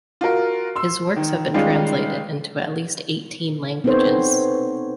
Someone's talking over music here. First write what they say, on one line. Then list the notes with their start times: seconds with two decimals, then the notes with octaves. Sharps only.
His works have been translated into at least eighteen languages.
0.21 F4 F#4 A#4
0.76 C6 E6
1.16 D#3
1.54 D#3 G3 G#3 C#4 F4
3.84 B3 C4 D#4 A4 C5 C#5